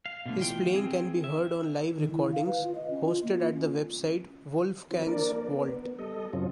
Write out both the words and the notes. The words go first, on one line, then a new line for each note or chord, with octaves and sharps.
His playing can be heard on live recordings hosted at the website Wolfgang's Vault.
F5
B2 D3 A3
E3 F4 G5
C4 G#4
E5
D#3
E4
F5
B4
F4
D#5
C#4
F4
A#3
F4
C#4
E3 F3 C4
A#3 D4 A#4 D5
B3
G3 A4 D#5
F#2 C#3 F#3 C4 C#4 F4